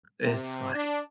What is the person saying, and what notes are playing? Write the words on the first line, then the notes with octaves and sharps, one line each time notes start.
it's like
C3
D4